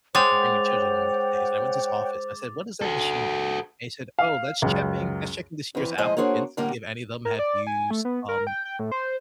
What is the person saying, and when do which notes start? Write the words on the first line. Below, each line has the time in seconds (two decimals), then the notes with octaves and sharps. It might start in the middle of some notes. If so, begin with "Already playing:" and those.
you can bring your children along these days- and I went to his office, and I said, "What is that machine doing?" And he said, "Oh, that's checking that's checking this year's applicants to see if any of them have used, um,
0.15 G#3 C5 C#5 F#5 G5 D6 A6 F7
2.82 F#4 A4
4.19 F5
4.62 C#2 F#2
5.75 F2 E3
5.98 A#2 F3 G#3 E4 C5 D#5
6.17 A#3 D4 F#4 G#4 C5 C#5
6.57 A2 D3 G3 A#3 A#4
7.25 A#4
7.39 D5
7.67 G#5
7.91 A3
8.05 B3
8.28 A#4
8.47 G5
8.65 G5
8.79 A2
8.92 C5